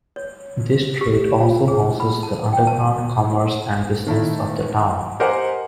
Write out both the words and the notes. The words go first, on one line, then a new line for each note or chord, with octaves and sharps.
This street also houses the underground commerce and business of the town.
C#5
G4
F4
G#4
B5
A5
G5
A5
D#3 A3 E4
G4 A#4 C5 D#5 F#5 G#5